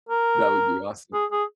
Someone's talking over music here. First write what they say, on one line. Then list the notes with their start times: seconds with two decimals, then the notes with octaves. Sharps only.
That would be awesome.
0.09 A#4
1.13 G#4
1.32 G#4